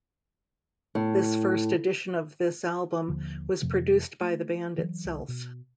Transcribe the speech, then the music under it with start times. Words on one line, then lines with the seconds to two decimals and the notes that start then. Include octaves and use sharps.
This first edition of this album was produced by the band itself.
0.95 A2
3.08 D#2 D3 F3
3.62 F2 C3 F3 A3
4.21 A3
4.78 E3 F#3
5.05 C2
5.28 B2